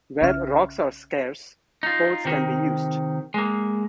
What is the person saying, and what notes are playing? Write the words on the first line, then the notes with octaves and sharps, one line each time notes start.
Where rocks are scarce poles can be used.
B1 C#3 C#4 E5 F6
D#4 F4
C3 D#3
G#3 A#3